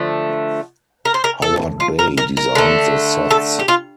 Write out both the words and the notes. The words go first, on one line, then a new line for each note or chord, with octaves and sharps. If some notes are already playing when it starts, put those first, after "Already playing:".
Howard Bay designed the sets.
Already playing: D3 F3 A3
A#4
C5
A#4
A4
F4
A#4
A#4
A#4
D3 A3
A4
G4
F4